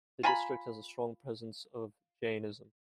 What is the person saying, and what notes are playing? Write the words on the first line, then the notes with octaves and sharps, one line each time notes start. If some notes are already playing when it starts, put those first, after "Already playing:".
The district has a strong presence of Jainism.
F4 G#5 A#5 B5